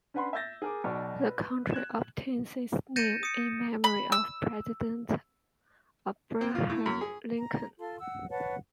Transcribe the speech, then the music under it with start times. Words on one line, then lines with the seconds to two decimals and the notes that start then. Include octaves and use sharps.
The county obtains its name in memory of President Abraham Lincoln.
0.14 C#4 D4 B4 F#5 B5 C6
0.33 E5 E6 G6 A6 A#6
0.62 G#4 A#4 D6
0.84 B1 B2 D5 C#6
1.27 B4
1.71 F#6 G#6 E7
2.96 G6 A6 A#6 C#7 D#7 E7
3.23 D#6 C#7
3.84 B5
4.12 E6
6.41 C4
6.55 F4
6.70 A2
6.86 F#2
7.01 G#4
7.37 A#5
7.79 F4 A4 A5 C6
8.00 F#5 E6
8.29 B4 C#5 F#5 A5